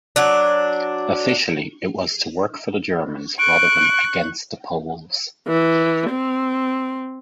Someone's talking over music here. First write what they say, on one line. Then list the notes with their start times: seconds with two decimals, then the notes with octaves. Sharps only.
Officially it was to work for the Germans rather than against the Poles.
0.16 F#3 D4
3.39 C#6 F#6 D7
5.48 E3
6.10 C4